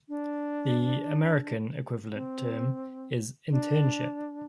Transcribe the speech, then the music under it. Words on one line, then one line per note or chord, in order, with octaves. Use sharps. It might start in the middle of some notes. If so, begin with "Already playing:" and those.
The American equivalent term is internship.
D4
C4
D4